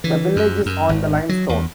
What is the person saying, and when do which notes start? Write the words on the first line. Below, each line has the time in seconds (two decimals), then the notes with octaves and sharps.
The village is on the limestone.
0.04 E3
0.36 F#2
0.66 F#2
0.89 G#1
1.29 F#3
1.49 E2